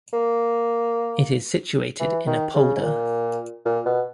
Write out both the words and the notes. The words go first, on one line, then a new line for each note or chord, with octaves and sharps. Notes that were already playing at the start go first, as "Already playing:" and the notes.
It is situated in a polder.
A#3
E3
D#3
C#3
G#2
A#2
A#2
B2